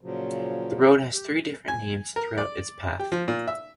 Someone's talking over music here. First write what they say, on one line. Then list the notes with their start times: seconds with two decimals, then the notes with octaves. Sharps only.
The road has three different names throughout its path.
0.01 A#2 C#3 F3 F#3
1.13 G4
1.68 G#5
2.16 A#4
2.38 D5
2.99 G4
3.12 F3
3.28 A#2
3.48 E5